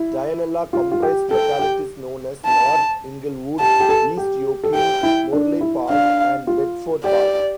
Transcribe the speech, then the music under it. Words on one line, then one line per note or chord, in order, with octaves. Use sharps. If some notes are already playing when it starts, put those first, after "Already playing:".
Dianella comprised localities known as North Inglewood, East Yokine, Morley Park and Bedford Park.
Already playing: E4
F4
F4
G4
A4 G5
G4
A5
G4 A5
G4
A4
G4
A4
G4 G5
E4
D4
E4
D4 F5
F4
G4 D5